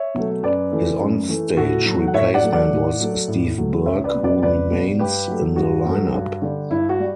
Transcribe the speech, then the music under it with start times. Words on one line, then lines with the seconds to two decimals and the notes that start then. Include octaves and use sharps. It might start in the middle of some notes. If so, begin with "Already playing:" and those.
His on-stage replacement was Steve Burke who remains in the lineup.
Already playing: C#5 E5
0.14 B2 F#3 A3
0.43 F#2 B4 D5
0.72 E3 A3
1.00 F#2
1.29 E3 A3
1.57 A2 F#4 A4
1.86 F#3
1.91 A3
2.07 F#5
2.14 A2 C#5 E5
2.34 D5 F#5
2.43 F#3 A3
2.52 D5 F#5
2.72 A2
3.00 F#3 A3
3.28 A2
3.58 F#3 A3
3.86 C#2 C#5 E5
4.04 B4 D5
4.14 B2 G3
4.24 B4 D5
4.43 C#2 B4 D5
4.71 B2 G3
4.99 G2 G4 B4
5.28 F#3 A3
5.56 G2 F#4
5.85 F#3 A3
6.14 G2
6.42 D3 G3
6.70 G2 E4
6.89 F#4
7.00 G3